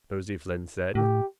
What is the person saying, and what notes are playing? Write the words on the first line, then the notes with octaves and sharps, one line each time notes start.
Nosey Flynn said.
A2 G4